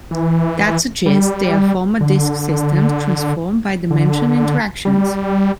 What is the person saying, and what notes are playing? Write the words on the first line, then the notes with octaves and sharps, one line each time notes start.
That suggests they are former disk systems, transformed by the mentioned interactions.
E3
G3
D3
D3
G3